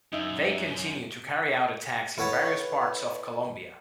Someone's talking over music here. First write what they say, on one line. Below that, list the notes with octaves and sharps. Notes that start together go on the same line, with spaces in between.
They continue to carry out attacks in various parts of Colombia.
F#2 D#4 E5
E4 A4 B4 C#5 F#5